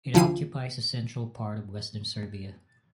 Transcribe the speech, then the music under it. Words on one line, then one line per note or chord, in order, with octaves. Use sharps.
It occupies the central part of western Serbia.
D2 F3 E4 C7 D#7